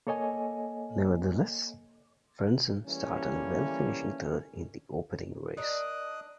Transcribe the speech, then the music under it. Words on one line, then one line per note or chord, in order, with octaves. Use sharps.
Nevertheless, Frentzen started well finishing third in the opening race.
A#3 A4 C#5 D#5 G#5
E3 G3 A3 A#3 C#4
D4 A#4 D#5 D#6 F#6